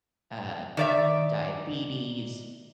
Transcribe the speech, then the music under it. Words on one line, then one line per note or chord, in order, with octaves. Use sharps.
uh, d diabetes.
D#3 D5 E5